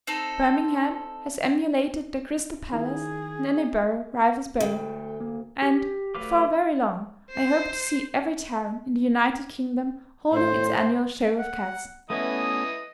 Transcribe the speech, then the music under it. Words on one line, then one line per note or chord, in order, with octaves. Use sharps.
Birmingham has emulated the Crystal Palace, and Edinburgh rivals both; and, before very long, I hope to see every town, in the United Kingdom holding its annual show of cats.
C4 D#4 A4
D#3 D#4 E4 G#4
D2 A3 G5
A#3
G4
F#3 A3 B4 F5 D6
C5 C7
A2 C5
F#5
E3 A3 B3 C#4 D#5 D#6